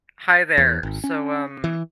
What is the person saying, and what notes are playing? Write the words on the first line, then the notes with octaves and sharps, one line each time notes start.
Hi there. So, um,
E2
G#1
C#4
E3